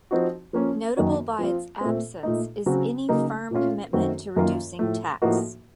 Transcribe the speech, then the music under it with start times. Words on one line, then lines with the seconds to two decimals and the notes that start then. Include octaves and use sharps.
Notable by its absence is any firm commitment to reducing tax.
0.11 F3 C4 D#4 F#4
0.53 F3 A#3 C#4
0.97 F#2 D#3 A#3 D#4 F#4
1.39 F3 C4 F4
1.81 A#2 A3 C4
2.23 A#2 A3 D#4
2.66 C#3 F#3 C4 F#4
3.09 C#3 F#3 A#3 D#4
3.51 A#2 A3 C#4 F4
3.93 F#2 D#3 A3 C4 F#4
4.36 F#2 D#3 A#3 F4
4.79 A2 F3 A3
5.22 A2 F3 A#3 D#4 F#4